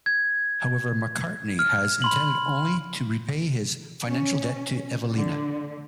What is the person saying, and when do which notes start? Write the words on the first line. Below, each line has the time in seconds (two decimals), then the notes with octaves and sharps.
However, Macartney has intended only to repay his financial debt to Evelina.
0.06 G#6
1.59 F6
2.02 B5 C6 F#7
4.06 C#4
5.16 D3